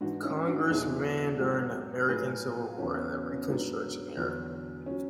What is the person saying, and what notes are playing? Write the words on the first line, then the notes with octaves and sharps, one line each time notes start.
Congressman during the American Civil War and the Reconstruction era.
G#2 E3 D4 F#4
C#4 E4
D4 F#4
E2 B2 F#3 E4 G#4
G#2 F#3 F#4 A4
A2 F#3 G#4 B4
E2 C#3 F#3 C#4
B3
C#4
C#4
G#2 F#3 B3 D4
E2 D3 F#3
F#3 C#4